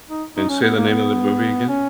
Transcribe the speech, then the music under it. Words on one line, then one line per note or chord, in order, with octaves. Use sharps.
And say the name of the movie again.
D#4
D#4
C#4
B3
A#3
B3
C#4